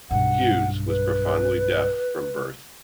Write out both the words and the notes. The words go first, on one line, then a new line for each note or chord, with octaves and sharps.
Hughes was profoundly deaf from birth.
B1 G2 F#5
B4